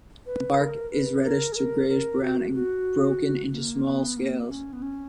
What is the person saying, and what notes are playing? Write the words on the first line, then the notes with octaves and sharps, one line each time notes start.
The bark is reddish- to grayish-brown, and broken into small scales.
B4
A#4
B4
A#4
G#4
A#4
A#4
F#4
F#4
A#3
B3
A#3
C#4
B3
C#4